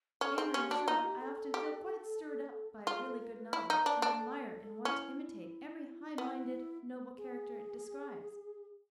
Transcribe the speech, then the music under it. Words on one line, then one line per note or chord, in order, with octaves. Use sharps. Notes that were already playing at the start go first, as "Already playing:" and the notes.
And I am sure I often feel quite stirred up by a really good novel, and admire and want to imitate every high-minded, noble character it describes.
C#4 A4
C4 G#4
C#4 G4
D4 F#4
D#4 F4
G4
A4
A4
G4
F4 G#4
A4
A#4
B4
E4
D#4
D4
D4
A4
C#4 E4
B3 E4
G#4